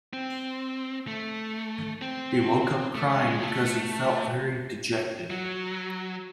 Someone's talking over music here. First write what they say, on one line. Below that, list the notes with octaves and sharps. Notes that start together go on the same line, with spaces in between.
He woke up crying because he felt very dejected.
C4
A3
C4
A3
G#3
G#3
A3
F#3